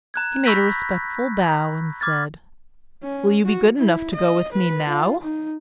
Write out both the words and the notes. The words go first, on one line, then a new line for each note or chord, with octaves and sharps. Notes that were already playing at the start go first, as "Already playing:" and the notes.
He made a respectful bow and said, "Will you be good enough to go with me now?"
A#5 F#6 G#6
B5 C#6 E6 G6 A#6 B6
D6 F6 G#6 A6
C#4
F#4
E4
D#5
B4
F4
D#4